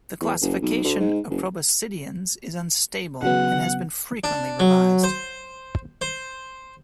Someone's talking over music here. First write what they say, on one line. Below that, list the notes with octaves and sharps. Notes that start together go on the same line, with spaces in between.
The classification of proboscideans is unstable and has been frequently revised.
E2
F#1
B1
D2
G#2
F#1
C#3 F#3 B3 F#5
D4
F#3
C5
C5